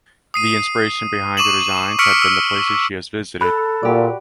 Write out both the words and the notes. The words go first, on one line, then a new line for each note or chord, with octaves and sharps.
The inspiration behind her designs have been the places she has visited.
D#6 C7 D#7
C#6 D6 D#7 E7 F#7
C#6 E6 F6 B6 C#7 D7
E6
A4 B5 F#6
A#2 F#4 G4 D5